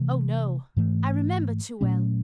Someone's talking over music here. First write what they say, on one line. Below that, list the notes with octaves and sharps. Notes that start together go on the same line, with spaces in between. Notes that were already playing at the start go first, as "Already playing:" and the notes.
Oh, no! I remember too well.
Already playing: C3 E3 A3
G#2 E3 A3
A#2 F#3 A3 C#4